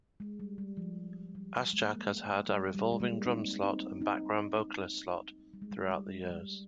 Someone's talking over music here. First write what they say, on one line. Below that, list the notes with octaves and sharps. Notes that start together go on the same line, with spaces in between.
Assjack has had a revolving drum slot and background vocalist slot throughout the years.
G#3
G3
G3
F3
G3
G#3
A#3
G#3
G3
G3
G#3
G3 A#3
C4 D#4
C4 D#4
C4 D#4
G3
G#3
G3
G3
G3